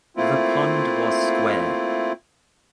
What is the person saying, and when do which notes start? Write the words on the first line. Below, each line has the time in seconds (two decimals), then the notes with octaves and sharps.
The pond was square.
0.17 A3 A#3 C4 E4 F4